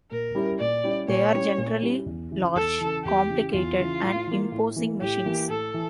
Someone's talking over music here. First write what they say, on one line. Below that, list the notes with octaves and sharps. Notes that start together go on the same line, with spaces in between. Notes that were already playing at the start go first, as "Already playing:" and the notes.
They are generally large, complicated, and imposing machines.
A#2 A#4
G3 C#4 E4 G4
A#2 D5
G3 C#4 E4 G4
A#2 C#5
G3 C#4 E4 G4
A#2
G3 C#4 E4 G4
E2
C#3 E3
E2 A4
C#3 E3
E2 G4
C#3 E3
E2 F4
C#3 E3
A2
E3 A#3
A2
E3 A#3
A2 G4
E3 A#3
A2 A4
E3